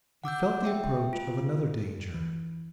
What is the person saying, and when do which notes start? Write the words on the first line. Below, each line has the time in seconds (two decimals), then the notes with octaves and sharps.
He felt the approach of another danger.
0.24 F#5 D6 E6 G6
0.65 E5 G5
1.13 F4
2.14 E3